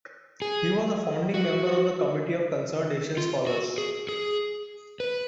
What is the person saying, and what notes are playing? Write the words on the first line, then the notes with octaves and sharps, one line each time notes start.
He was a founding member of the Committee of Concerned Asian Scholars.
G#4
F#4
F4
F#4
G#4
G#4
B4